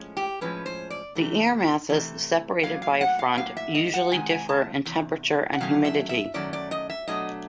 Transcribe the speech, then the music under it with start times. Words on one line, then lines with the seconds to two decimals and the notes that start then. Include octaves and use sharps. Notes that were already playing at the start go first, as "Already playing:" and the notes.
The air masses separated by a front usually differ in temperature and humidity.
Already playing: A2 F3 G#3 C#4
0.17 G4
0.41 A2 F3 G#3 C#4 B4
0.66 C5
0.90 D5
1.15 C3 E3 A3
1.89 C3 E3 A3
2.63 A2 F#3 A#3 F5
2.82 F5
3.01 F#5
3.19 F5
3.37 A2 F#3 A#3 F5
3.57 E5
3.75 D#5
3.94 F#5
4.11 E2 C3 D#3 G#3 G#5
4.30 G#5
4.49 A5
4.85 E2 C3
5.53 F#5
5.60 F#2 D#3 F#3 A3 C#4 F5
5.85 E5
6.09 E5
6.34 F#2 D#3 F#3 A3 C#4 D5
6.53 D5
6.71 D#5
6.90 E5
7.08 B2 F#3 A3 D4 D#5